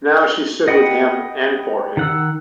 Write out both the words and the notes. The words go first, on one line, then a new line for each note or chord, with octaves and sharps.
Now she stood with him and for him.
D#5 F#5 G5 B5 D#6
D#3 F#5 E6